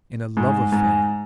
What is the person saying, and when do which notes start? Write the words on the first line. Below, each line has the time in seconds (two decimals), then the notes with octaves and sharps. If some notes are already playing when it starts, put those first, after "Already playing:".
In a love-affair.
0.37 G#2
0.72 G#2